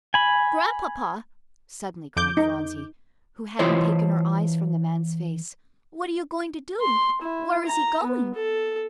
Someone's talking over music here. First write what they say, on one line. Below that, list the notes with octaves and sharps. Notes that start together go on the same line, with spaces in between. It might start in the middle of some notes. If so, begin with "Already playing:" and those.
"Grandpapa," suddenly cried Phronsie, who hadn't taken her eyes from the man's face, "what are you going to do--where is he going?"
G#5 B5
F2 D6 G6
D#4
E3 E4 F4 C5 C#5 D#5
C6
E4
A#5
B3
A4